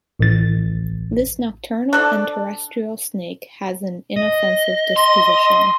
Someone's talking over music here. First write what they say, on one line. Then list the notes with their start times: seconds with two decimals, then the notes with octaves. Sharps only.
This nocturnal and terrestrial snake has an inoffensive disposition.
0.19 A1 A6
1.93 D4 A4 D5
4.16 D#5
4.96 C6